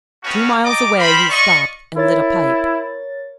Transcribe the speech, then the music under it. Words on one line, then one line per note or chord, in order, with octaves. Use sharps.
Two miles away he stopped and lit a pipe.
A3 B3 C#4 F#4 F5 G5
D5 D#5 G5 A#5 D6
G3 A#4 C5 G5 B5
F4 D5 D#5 C#6
E4 A#4 C#5 A6